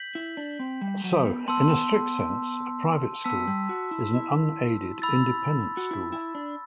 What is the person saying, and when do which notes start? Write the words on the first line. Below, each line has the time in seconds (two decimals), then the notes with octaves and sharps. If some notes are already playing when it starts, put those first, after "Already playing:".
So, in a strict sense, a private school is an unaided independent school.
Already playing: G6 B6 F#7
0.15 E4
0.37 D4
0.59 C4
0.81 G3
1.04 F#3
1.25 B3
1.48 B3 A5 C6 E6
3.24 B3 A5 E6 B6
3.47 G3
3.69 F#4
3.91 E4
4.14 E4
5.02 B5 E6 A6
5.77 F#4
5.91 E4
6.12 E4
6.35 D4